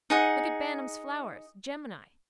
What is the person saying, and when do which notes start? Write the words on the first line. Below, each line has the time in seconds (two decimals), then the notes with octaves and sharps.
Look at Bantam's flowers. Gemini.
0.10 D#4 G#4 F#5